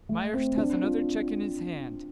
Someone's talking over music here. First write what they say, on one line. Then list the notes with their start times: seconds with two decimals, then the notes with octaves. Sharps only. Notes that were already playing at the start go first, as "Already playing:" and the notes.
Myerst has another cheque in his hand.
0.09 A3
0.34 C4
0.57 D4
0.83 F4